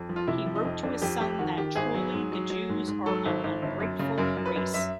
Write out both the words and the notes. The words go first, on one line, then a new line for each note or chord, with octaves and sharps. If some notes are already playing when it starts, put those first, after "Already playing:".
He wrote to his son that "truly the Jews are an ungrateful race".
Already playing: F2
F3
F4
C3 E4
F3
D#4
F2
F2 D4
F2 G4
F2 G4
D#3 F#4
D#3 G4
G#1 G#4
F#3
G#2
F#3
F#3
G#2
G#2
F#3 A4
G#1
G#1
G1
F#2
C#3
F#2 A#4
F#2
B4
F#2
F#2 E5